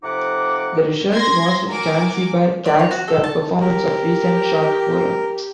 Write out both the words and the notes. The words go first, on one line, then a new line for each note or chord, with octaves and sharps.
The result was "Zanzibar Cats", a performance of recent short poems.
F2 C3 D#4 F#5 D6
C6 G#6 A#6
F#4 A#4 G#5 D6
D5
C#5
F#4
A4
A5
G4 A#4